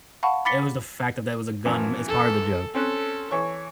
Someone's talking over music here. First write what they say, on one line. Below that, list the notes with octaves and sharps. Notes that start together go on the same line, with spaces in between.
It was the fact that there was a gun as part of the joke,
F5 F#5 A5 B5 C#6
B5 D6 A6 B6 C#7 G7
F#2 E3 F3
A4
C4 C#4 A4 F#6
E3 C#5 C#6